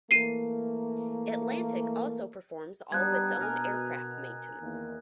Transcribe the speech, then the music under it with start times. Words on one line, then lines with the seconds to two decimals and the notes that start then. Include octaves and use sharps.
Atlantic also performs all of its own aircraft maintenance.
0.11 E3 A3 A#3 C7 D#7
2.92 G3 B3 D4 D#4 F#6 G#6
3.40 B2 A#4 D#5 G#5
4.61 E2 D#3 A#3